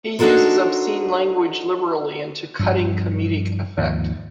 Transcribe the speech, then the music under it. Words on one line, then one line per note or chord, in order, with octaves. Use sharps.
He uses obscene language liberally and to cutting comedic effect.
D4 D#4 F#4 A4 A#4 C5
G2 F3
D#2 G#2 F3